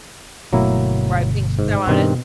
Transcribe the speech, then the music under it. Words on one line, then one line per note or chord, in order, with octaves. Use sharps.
Right, being so on.
G1 B2 F#3 A3 A#3 E4
G#2
G2 B2 D#3 C4